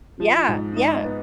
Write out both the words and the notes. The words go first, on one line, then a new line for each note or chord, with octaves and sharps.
Yeah, yeah,
F3
G#2
D#4
B3